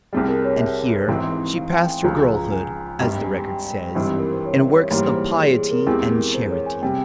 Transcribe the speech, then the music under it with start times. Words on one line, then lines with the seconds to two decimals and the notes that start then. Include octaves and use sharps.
And here she passed her girlhood, as the record says, "in works of piety and charity."
0.13 C2 C3 G3 G#4
0.28 A#4
0.45 C#5
0.60 E5
1.08 G#1 G#2 E3 G#3 C4
1.56 F5
1.72 G5
1.88 G#5
2.04 C#2 C#3 F3 A#5
2.20 G#5
2.36 A#5
2.52 G#5
3.00 G#1 G2 G3 A#5
3.23 G#5
3.48 G5
3.95 G#1 G2 E3 G3 C4
4.19 A#4
4.32 C5
4.46 C#5
4.59 E5
4.75 C#5
4.91 G#2 E3 G3 A#3 C#5
5.15 C5
5.39 G#4
5.55 G#4
5.71 A#4
5.86 E2 E3 G#3 C4 G4 G#4
6.11 A#4
6.34 C5
6.50 C#5
6.66 G#5
6.82 C3 G3 G5